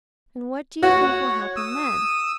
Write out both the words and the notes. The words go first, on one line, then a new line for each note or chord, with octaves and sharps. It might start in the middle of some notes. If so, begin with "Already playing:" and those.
And what do you think will happen then?
F#4 C#5 F#5
D#6 E6